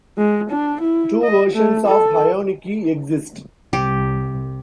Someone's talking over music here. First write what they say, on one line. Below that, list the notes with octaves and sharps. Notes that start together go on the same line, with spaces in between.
Two versions of "hayanuki" exist.
G#3
D4
E4
D#5
A3
A4
C2 C3 G4